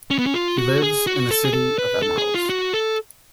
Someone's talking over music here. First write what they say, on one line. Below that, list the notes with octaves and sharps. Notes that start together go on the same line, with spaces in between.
He lives in the City of Emeralds.
C#4
B3
C#4
F4
F#4
G#4
F#4
A4
G#4
A4
B4
A4
G#4
F4
F#4
A4